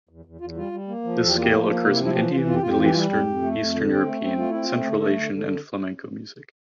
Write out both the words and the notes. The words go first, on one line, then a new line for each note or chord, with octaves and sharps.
This scale occurs in Indian, Middle Eastern, Eastern European, Central Asian and Flamenco music.
E2
E2
E2 F4
G3 F4
G3
A#3
F3
E2 A4
G4
A#3 F4
G4
F3
A#3
C3 F4
E4
F3
E4
E3 G4
E3 F4
F2 F4
G4
F2 F4
G4
E3 F4
G4
G3 F4
F2 G4
F2
A3
F2
D3
C4
A3
C4
A3 F4
C4 E4
F4
A3
D3
A3 A4
D3
D3